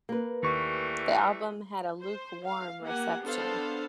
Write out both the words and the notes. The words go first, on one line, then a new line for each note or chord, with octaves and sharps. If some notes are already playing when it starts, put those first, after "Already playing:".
The album had a lukewarm reception.
A#3 B4
D#2 E3 G3 A3 C#6
C5
F5
A#3 G4 F#5 G#5
B3 D4 A4 C5 F5